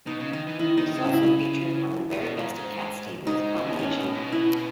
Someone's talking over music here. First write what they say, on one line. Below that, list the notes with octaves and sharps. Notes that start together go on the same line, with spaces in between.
It is also featured on "The Very Best of Cat Stevens" compilation album.
B2 D#4
C#3
D#3 D#4
E3
D#3 E4
D#3 D#4
C#3
E4
B2
G#2
G#2
G#2 D#4
C#3
B2
A2 C#4
B2
A2
B2
E4